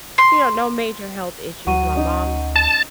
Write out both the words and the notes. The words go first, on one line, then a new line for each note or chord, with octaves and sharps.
You know, no major health issues. My mom
C6
D2 F#3 F#5 C#6 D#7
C#4 D#4
A5